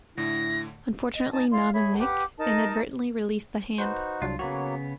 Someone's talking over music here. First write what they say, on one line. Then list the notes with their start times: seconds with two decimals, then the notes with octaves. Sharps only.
Unfortunately Pnub and Mick inadvertently release the hand.
0.17 A2 D3 E4 A#6
1.15 D#5
1.32 D#4 G#5 A5
1.51 E4 D5 F5 C6
1.73 G#4 C#5 E5 B5
1.99 G4 B4 F#5 D6
2.38 D#4 A#4 D#5 A5
3.78 D#4 F#4 B4 C5
4.22 C2 F#3 D4 F4
4.39 C#3 F#3 A#3 B3 F#4 C#5